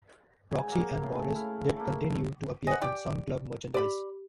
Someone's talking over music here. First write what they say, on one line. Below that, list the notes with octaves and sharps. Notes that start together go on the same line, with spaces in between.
Roxi and Boris did continue to appear on some club merchandise.
G#2 G#5
F#3 A#3
A2 C#3
E4 F5
A3 A#3
D#5 F#5 G#5
G4 D5 G5
G4 D5 B5